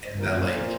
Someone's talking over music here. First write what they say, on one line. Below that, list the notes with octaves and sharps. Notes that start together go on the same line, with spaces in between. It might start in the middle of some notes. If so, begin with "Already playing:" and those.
And that, like,
A#2 A#4
C5
C5